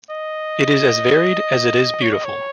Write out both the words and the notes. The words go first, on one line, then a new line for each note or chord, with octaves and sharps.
It is as varied as it is beautiful.
D#5
C#5
D#5
C#5